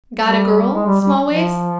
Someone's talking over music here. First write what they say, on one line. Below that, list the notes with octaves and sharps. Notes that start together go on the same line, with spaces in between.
"Got a girl, Smallways?"
G3
G#3
G3
G3
F3